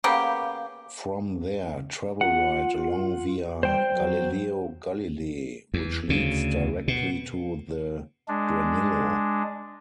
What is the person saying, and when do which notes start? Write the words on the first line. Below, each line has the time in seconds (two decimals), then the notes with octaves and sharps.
From there, travel right along via Galileo Galilei which leads directly to the Granillo.
0.04 C#3 A#3 B3 G4
2.21 F4 F#5
3.63 G3 C5 G5
3.94 F#3
5.74 E2
6.09 D2 C#3
6.88 B2
8.28 G#3 D4